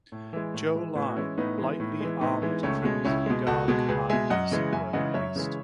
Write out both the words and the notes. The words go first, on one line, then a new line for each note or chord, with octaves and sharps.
Joe line, lightly armored Crimson Guard Commanders were released.
A2
E3 G#3
A2
E3 G#3
A2 B3
F#4
E3 G#3 C#4 E4
A2 B3 D#4
E3 G#3
A2
E3 G#3
A2 B3 D#4
E3 G#3
C#2 A3 C#4
B2 G#3
C#2 C#4 E4
B2 G#3
C#2 F#4 A4
B2 G#3
C#2 G#4 B4
B2 G#3 E5 G#5
F#2 D#5 F#5
C#3 E3 G#3
F#2 E5 G#5
C#3 E3 G#3 D#5 F#5
F#2 C#5 E5
C#3 E3 G#3